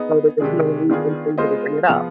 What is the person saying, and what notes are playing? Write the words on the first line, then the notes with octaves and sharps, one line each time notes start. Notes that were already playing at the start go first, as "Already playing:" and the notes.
so there's no reason for you to bring it up.
Already playing: B3 D#4 G#4
C3 D#3 G#3 D4 G#4
D#3 B3 D4 F4 G#4
G#3 B3 F4 C5 D#5
F3 B3 F4 G#4